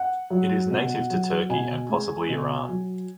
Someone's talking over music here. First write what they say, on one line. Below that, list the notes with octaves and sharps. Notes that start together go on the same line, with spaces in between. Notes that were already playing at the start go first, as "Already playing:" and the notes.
It is native to Turkey and possibly Iran.
Already playing: F#5
F#3
B2
F#3
B2 G#5
G#3
B2
F#3